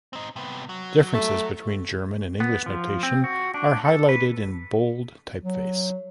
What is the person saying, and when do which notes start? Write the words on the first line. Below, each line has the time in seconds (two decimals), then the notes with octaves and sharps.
Differences between German and English notation are highlighted in bold typeface.
0.13 C4 D#4
0.36 C3 B3
0.69 F#3
1.14 A3
2.40 B3
2.66 F3
3.03 C4
3.24 F#4
3.54 D4
3.85 A4
4.09 B4
5.44 F#3